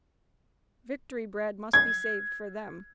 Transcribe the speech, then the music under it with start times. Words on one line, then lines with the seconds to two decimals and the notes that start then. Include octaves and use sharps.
Victory bread must be saved for them.
1.73 G#6